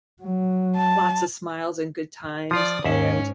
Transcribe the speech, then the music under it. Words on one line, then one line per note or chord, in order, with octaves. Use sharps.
lots of smiles and good times, and
F#3
A5
F3 F4 D5 D#6
D#2 G#2 C#4 E5